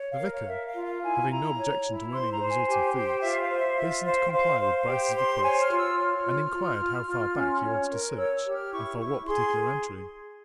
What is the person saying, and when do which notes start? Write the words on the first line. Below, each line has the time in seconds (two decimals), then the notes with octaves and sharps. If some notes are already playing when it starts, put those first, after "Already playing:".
The vicar, having no objection to earning the resultant fees, hastened to comply with Bryce's request, and inquired how far back he wanted to search and for what particular entry.
Already playing: C#5
0.11 F5
0.20 A#4
0.30 C#5
0.47 A#4 E5
0.66 F5
0.75 F4
0.85 F5
1.03 E4 G#5
1.30 E4 A#5
1.58 C#5
1.86 E4
2.12 C5 C6
2.30 A#5
2.40 C5
2.49 G#5
2.67 G4 G#5
2.95 C5 G5
3.22 F4 E5
3.40 F5
3.49 C5
3.58 E5
3.77 F4 E5
4.04 C5 F5
4.26 G5
4.32 C5 F5
4.59 C5
4.87 G4 G5
5.15 C5 C6
5.42 C#5 G#5
5.60 F6
5.70 F4
5.79 E6
5.97 C#5 F6
6.24 F4
6.51 F4
6.80 F4
7.06 F4
7.34 C#4
7.62 C#5
7.90 A#4
8.17 C#5 E6
8.35 E6
8.44 G4
8.53 F6
8.72 E4 C#6
8.98 E4 C#6
9.26 G#4 C6